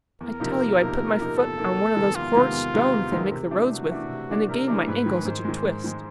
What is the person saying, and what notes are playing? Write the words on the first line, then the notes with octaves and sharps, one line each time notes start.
"I tell you I put my foot on one of those horrid stones they make the roads with, and it gave my ankle such a twist."
E2 A#4
C3 F3 A#3 D#4
E2
C3 F3 A#3 D#4
E2
C3 F3 A#3 D#4
E2 A4
C3 F3 A#3 D#4
E2
C3 D#3 G#3 B3
E2 F4
C3 D#3 G#3 B3
E2
C3 D#3 G#3 B3
E2
C3 D#3 G#3 B3
C3
E3 A3 D4
C3 F#4
E3 A3 D4
C3
E3 A3 D4
C3 A#4
E3 A3 D4
G#2 B4
D#3 G#3
G#2 C5
D#3 G#3
G#2
D#3 G#3